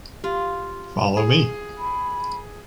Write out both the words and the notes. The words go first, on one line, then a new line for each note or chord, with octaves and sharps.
Follow me.
F4 G4
G#4
B5